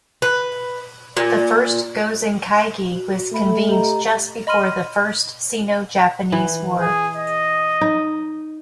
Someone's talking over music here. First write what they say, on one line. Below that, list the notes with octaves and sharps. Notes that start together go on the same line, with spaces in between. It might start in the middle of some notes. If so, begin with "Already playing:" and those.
The first "Gozen Kaigi" was convened just before the First Sino-Japanese War.
B4
A#2
F#4
A3 A4 B5
G4 D#5 A#5
D#5 B5 C6 F6 D#7
E3
G#4
D#5
D#4